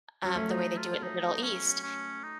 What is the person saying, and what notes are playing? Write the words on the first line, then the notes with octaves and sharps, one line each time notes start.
Um, the way they do it in the Middle East,
F#3 C#4
A3
F#3 D#4
F4
D#4
C#4
C#4
D#4